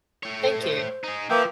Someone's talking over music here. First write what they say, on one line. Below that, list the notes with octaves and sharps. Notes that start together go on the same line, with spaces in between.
Thank you.
A3 C#5
A4
C5
D#4 G#4
F3 A#3 B4 E5 G5